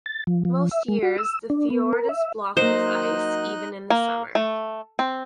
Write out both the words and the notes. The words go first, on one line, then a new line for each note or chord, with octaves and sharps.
Most years the fjord is blocked with ice even in the summer.
A6
F3
F3
E5
G#3
F#4
E6
D4
B3
A#4
E5
F#3 A#3 D#4 C5 D#5 F#6
A#3
A3
C4